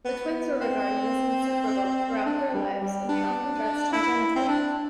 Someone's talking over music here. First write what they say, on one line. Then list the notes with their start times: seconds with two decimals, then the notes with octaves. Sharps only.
The twins were regarded as 'inseparable' throughout their lives, and they often dressed identically.
0.05 B3
0.60 C4
2.26 D4
2.54 G3
2.82 G3
3.09 D4
3.93 E4
4.36 C4
4.48 D4